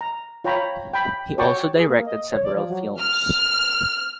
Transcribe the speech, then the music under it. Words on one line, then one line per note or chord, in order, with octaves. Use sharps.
He also directed several films.
A#5
F4 C#5 G5 A#5 B5
G5 B5
F#4 C#5 G5 A5 C#6 D6
G#4
A#3
D#5
C#5
D5
F3
F#3
F6